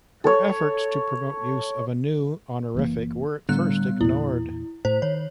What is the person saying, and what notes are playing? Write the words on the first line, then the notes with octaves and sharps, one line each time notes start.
Her efforts to promote use of a new honorific were at first ignored.
A4 C#5
F#1 E3 A#3
A2 D3 G3 B3 F#6
E2 A#2 E4
A2 C5
D#3 C#5